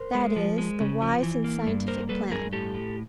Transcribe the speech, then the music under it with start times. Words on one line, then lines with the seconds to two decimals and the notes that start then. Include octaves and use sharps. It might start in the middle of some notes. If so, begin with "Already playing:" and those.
That is the wise and scientific plan.
Already playing: A#4 C5
0.15 G#3
0.36 F3
0.58 G#3
0.80 C#3
1.02 F3
1.23 E3
1.44 A#3
1.67 G2
1.88 A#3 A#4 C5
2.09 G3 A4 B4
2.31 G2 G#4 A#4
2.53 A2 G4 A4
2.74 A2